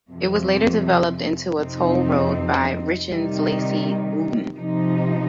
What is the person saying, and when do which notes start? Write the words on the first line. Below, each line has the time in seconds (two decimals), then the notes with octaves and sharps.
It was later developed into a toll road by Richens Lacey Wootton.
0.11 F2 C3 F3
1.59 F2 C3 F3 C4 D#4
3.07 C3 D#3 G3 D#4
4.55 C3 F3 D#4